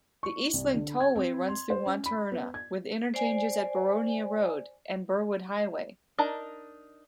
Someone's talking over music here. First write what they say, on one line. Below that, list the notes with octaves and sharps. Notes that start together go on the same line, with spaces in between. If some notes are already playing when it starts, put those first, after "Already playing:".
The EastLink tollway runs through Wantirna with interchanges at Boronia Road and Burwood Highway.
C#6
C2
D3
G#6
C4
C6
C5
C#4
B5
B3
G#6
C5 D5 G#5
D4 D#4 A#4 A5 A#5